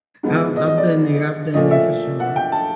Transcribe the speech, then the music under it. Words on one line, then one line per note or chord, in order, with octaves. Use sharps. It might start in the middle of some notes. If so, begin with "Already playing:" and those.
I've I've been there, I've been there for sure.
G#2 F3 G#3 B3
D#5
D#5
D5
A#2 F3 A3 D#5
E5
F#5
G5
A5